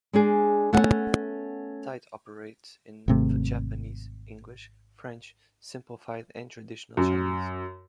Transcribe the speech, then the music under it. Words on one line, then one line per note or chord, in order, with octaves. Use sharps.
The site operates in Japanese, English, French, Simplified and Traditional Chinese.
G#3 D4 G#4
A3 B3 C#4 F#5
G#1 C3 A3
F#2